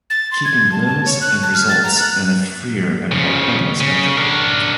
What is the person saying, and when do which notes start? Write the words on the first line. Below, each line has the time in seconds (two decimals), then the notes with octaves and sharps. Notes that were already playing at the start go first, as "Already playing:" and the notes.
Keeping limbs in results in a freer and more painless entry.
0.10 A6
0.32 C6
0.45 G#6
0.72 A5
0.87 A5
1.06 C#5
1.21 F#6
1.43 A5
1.54 F6
1.69 A6
1.84 A#5
1.99 F#6
3.12 C#3 F3
3.81 C#3
4.18 D4 A#4